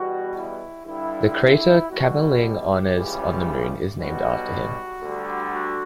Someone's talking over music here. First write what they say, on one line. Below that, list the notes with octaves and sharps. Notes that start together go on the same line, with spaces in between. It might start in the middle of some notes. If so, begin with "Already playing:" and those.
The crater Kamerlingh Onnes on the Moon is named after him.
Already playing: E2 B2 G3 F#4
E4
G2 D3 G3 E4
B1 B2 G3 F#4
G4
C#2 C#3 E3 G3
B1 B2 G3 F#4
D2 D3 G3
F#4